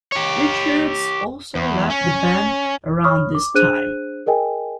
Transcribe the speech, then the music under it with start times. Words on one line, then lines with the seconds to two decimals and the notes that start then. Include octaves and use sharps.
Richards also left the band around this time.
0.12 G4 C#5
1.55 E2
1.90 C#4
3.04 C#5 B5 C#6 D#6 F6
3.35 D6
3.54 D4 G#4 C5 F#6 D#7
4.26 G#4 A#4 D#5 G5 G#5